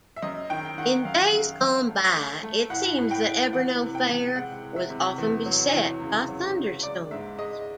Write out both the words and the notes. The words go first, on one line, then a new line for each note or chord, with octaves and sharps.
In days gone by it seems that Ebernoe Fair was often beset by thunderstorms.
E5
F#2 D#5
D#3 G5
D#3 F#5
F#2 F5
F#2
F#2
A3
A3
A3
A2 F#5
A2
G5
A2
E3 F#5
C3
G5
E3
G#3 F#5
G#3
E5
C3
E2
F#3
E2
C#3
F#3
C#3
G#3 D5
G#2 E5
G#3 D#5